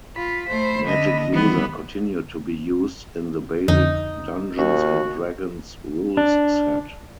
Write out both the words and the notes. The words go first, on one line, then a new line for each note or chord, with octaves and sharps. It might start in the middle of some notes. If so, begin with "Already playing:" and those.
"Magic-User" continued to be used in the basic "Dungeons and Dragons" rules set.
F4 B5
A3 C5
D3 D#5
D#3 E3 G3 B3
F2 D3 D#4
D#2 F#4
D4